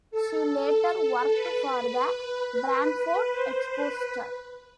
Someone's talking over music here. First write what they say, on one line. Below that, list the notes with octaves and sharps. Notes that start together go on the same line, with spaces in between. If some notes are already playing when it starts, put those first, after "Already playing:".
She later worked for the "Brantford Expositor".
A4
B4
B4
C5
B4